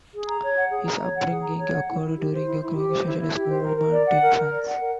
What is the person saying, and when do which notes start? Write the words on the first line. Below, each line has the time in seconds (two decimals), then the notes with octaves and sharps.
His upbringing occurred during a growing socialist movement in France.
0.13 G#4
0.27 A#5
0.42 C#5
0.57 F#5
0.71 G#4
0.86 A#5
1.01 C#5
1.15 F#5
1.30 G#4
1.43 A#5
1.58 C#5
1.73 F#5
1.87 E4
2.02 E4
2.17 G4
2.32 C5
2.45 E4
2.61 E4
2.75 G4
2.90 C5
3.05 E4
3.19 E4
3.33 G4
3.48 C5
3.63 A#4
3.77 A#4
3.92 D5
4.06 F#5
4.22 A#4
4.35 A#4
4.51 D5
4.65 F#5
4.80 A#4